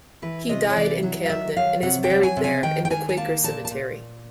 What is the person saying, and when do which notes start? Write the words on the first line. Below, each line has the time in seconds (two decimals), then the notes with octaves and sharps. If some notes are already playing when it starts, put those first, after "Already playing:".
He died in Camden and is buried there in the Quaker Cemetery.
0.22 E3 B4
0.49 C3 D#5
0.70 C#5
0.76 E3 D5
1.03 F#3
1.25 F5
1.29 D#3 E5
1.56 F#3 F5
1.83 C3 F#5
2.04 G5
2.10 F#3
2.23 G#5
2.36 C3
2.44 G#5
2.63 D#3 G5
2.85 G5
2.90 D#3 G#5
3.09 G#5
3.17 A#3 A5
3.44 A#2 A5
3.65 A5
3.71 A#2